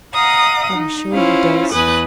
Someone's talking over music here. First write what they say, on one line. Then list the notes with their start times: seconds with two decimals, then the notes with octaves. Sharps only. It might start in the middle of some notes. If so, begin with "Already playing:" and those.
"I am sure he does."
0.14 D#5 F5 F#5 A#5 D#6
0.74 D#4
1.13 C#4 E4 F4 C5 F5
1.72 E2 B4 G#5 D#6 F#6